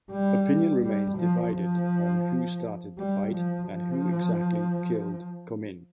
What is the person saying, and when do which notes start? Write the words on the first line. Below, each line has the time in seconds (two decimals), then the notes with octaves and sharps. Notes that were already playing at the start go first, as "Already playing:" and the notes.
Opinion remains divided on who started the fight and who exactly killed Comyn.
0.12 G3
0.83 G3
1.18 F3
1.55 F3
2.98 G3
3.34 F3
3.69 F3